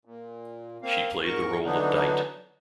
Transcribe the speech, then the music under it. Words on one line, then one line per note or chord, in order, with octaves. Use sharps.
She played the role of Dite.
A#2
A#3 C4 F5
G#2 A#4 C#6
D3 E3 F#3 B3 D4 D#4